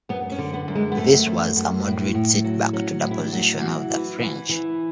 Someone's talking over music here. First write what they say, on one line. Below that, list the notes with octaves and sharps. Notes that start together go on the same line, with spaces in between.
This was a moderate setback to the position of the French.
F#2 B3
C#4
D3
B3
F#2
G#3
B3
F#2 A3
F#2
F#2
A2
A2
F#3
F#3 C#4
A2
E4
D4
F#3
E3 F#4
E3
E3
E3